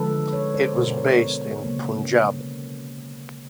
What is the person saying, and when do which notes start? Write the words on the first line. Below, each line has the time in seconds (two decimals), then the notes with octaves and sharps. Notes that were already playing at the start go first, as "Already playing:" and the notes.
It was based in Punjab.
Already playing: D3 F3 G#3 A4 B4
0.33 B4 C#5
0.54 C5 D5
0.76 B2 G#3 A#4 C5
0.97 B4 C#5
1.08 B4 C#5
1.63 C#3 F#3 A#3